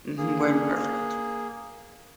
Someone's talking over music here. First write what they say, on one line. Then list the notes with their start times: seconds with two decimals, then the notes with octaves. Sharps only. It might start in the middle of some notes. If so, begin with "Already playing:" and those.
Mhm, we're imperfect.
0.18 A#3 G#4